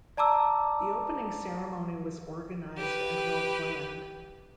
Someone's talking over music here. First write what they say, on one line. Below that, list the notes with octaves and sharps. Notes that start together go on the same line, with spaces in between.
The opening ceremony was organized and well planned.
D5 A5 A#5 D6 E6
G4 B4